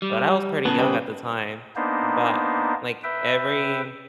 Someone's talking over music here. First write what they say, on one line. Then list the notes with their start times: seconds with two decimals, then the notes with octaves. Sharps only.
but I was pretty young at the time. But, like, every
0.02 G3
0.65 C#3 B3 A5
0.79 G3 B3 B4 C5 G5
1.76 A#3 B3 D4 D#4 C5
3.04 B4 E5 G5